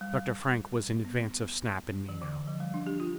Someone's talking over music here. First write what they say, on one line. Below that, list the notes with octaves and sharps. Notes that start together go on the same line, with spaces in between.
Dr. Frank was in advance of Snap and me now.
G3
B3
E3
D3
F3
G3
D4
G4
F4